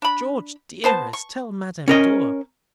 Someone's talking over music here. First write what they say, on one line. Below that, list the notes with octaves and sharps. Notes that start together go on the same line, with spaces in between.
George, dearest, tell Madame Dor.
D4 B5
B3 C5 A5
C#6
C#4 A#4 D#5